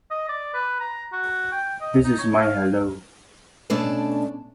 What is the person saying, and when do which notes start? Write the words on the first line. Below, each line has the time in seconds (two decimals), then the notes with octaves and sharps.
This is my hello.
0.11 D#5
0.29 D5
0.54 B4
0.80 A#5
1.12 F#4
1.52 G5
1.81 D#5
2.04 D#4
2.19 C#5
2.40 F5
3.70 B2 A3 C#4 D4 D5 A5